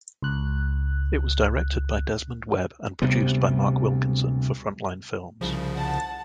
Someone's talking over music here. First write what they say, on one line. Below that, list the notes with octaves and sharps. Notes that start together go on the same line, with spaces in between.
It was directed by Desmond Webb and produced by Marc Wilkinson for Frontline Films.
C#2 F#6
D2 C3 G3 B3
C2 C#3 F3
F#5 A5